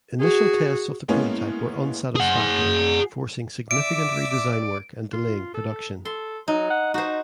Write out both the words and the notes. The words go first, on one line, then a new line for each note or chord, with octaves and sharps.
Initial tests of the prototype were unsatisfactory forcing significant redesign work and delaying production.
F#4 G#4
A2 G#3 A#3 B3 C#4
G#4 F#5
D5 E5 D6 D7
F4
A4
A4 C6
F#3 D#4
F#5
D#4 F#4 C5